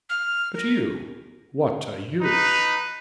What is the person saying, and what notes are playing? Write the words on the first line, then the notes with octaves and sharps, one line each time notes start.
But you--what are you.'
F6
A#4
D#4 B4